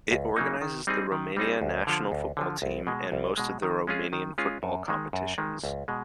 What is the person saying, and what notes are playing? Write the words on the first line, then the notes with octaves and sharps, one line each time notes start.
It organizes the Romania national football team and most of the Romanian football competitions.
C#2
C#3 F#3 A#3 D#4
D#3
G3 C4 D#4 G#4
D#3
G3 C4 D#4 G#4
D2
D3 F3
D2
D3 F3
C2
B2 G#3
C2
B2 G#3
D#3
G#3 C#4 F4 G#4
D#3
G#3 C#4 F4 G#4
F#2
D#3 G#3
F#2
D#3 G#3
C#2
B2 G#3